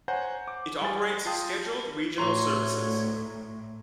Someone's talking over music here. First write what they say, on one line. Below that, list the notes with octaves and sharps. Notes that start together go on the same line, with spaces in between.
It operates scheduled regional services.
C5 C#5 F#5 G#5 A#5 G6
D6
G3 G#4 G#5 A6
F4 G5 A5 D#6
D2 A2 C#5 A#5 C6